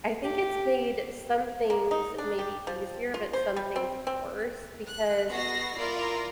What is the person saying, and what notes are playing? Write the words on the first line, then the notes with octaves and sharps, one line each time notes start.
I think it's made some things maybe easier, but some things worse, because,
G4
A#3
D#4
D4
G4
F3
F4
C5
G3
C4
C4
F#6
B3 F#4 A4 A#6 C7
E4 F4 A#4 D5